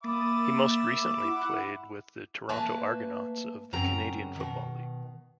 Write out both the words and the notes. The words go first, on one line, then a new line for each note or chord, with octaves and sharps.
He most recently played with the Toronto Argonauts of the Canadian Football League.
A#3 E5 B5 D6 D#6 A6
E4 F#5
A3 A#3 B4 G#5 A5
F#2 C#3 C4 G5 A#5
B2 D#3